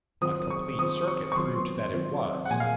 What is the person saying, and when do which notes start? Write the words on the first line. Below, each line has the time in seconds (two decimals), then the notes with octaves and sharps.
A complete circuit proved that it was.
0.21 D#3 F#3 C4 F4 C5 D#6
0.50 C#6
0.79 D#3 F#3 C4 F4 C5 D#6
1.08 C#6
1.32 C#6
1.36 D#3 F#3 C4 F4 C5 C6
1.94 D#3 F#3 C4 F4 C5
2.45 F#5
2.50 A#2 F3 A#3 G#5
2.60 F5